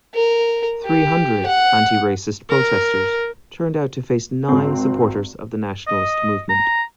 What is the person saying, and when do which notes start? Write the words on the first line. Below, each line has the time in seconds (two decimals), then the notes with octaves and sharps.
Three hundred anti-racist protesters turned out to face nine supporters of the Nationalist Movement.
0.15 A#4
0.85 G4
1.46 F#5
2.50 A#4
4.49 G#1 C4
5.88 D#5
6.49 A#5